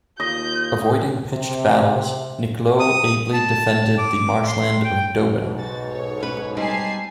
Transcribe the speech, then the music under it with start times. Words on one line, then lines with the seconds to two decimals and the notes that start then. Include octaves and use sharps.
Avoiding pitched battles, Niklot ably defended the marshland of Dobin.
0.20 D#2 F4 D#5 G6
1.27 C3
2.80 D#6
3.33 A5
3.98 D6
4.47 C6
4.84 G5
5.26 B1 G#2 B2
5.58 F#4 A6
5.88 C#5
6.20 C#4 B4
6.57 G3 C4 D#4 G#5 A5 C7